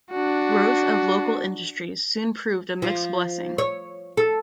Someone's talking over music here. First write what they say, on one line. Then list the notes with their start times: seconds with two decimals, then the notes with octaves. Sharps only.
Growth of local industries soon proved a mixed blessing.
0.11 D4 F#4
2.82 F3
3.58 C#5
4.17 A4